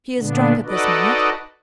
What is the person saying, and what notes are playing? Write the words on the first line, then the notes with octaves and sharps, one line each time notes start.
She is drunk at this minute.
A#2 D3 B3 D4
D#4 F#4 A4 B4 D5 D#5